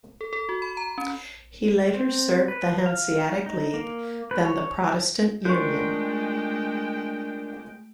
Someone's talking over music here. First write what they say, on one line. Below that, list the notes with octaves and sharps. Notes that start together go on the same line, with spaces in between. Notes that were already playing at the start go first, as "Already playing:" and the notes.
He later served the Hanseatic League, then the Protestant Union.
A4
A4
F#4
B5
A#5
C#4
C4
B4
F5
D#4
A#3
B4
C#5
G#3 A3 D4 F4 A#4 G5 C#6 G6